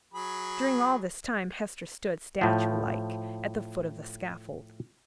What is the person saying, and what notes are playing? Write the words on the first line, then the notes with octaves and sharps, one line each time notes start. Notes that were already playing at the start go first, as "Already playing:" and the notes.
During all this time, Hester stood, statue-like, at the foot of the scaffold.
F#3 G#4 B5
A2 F3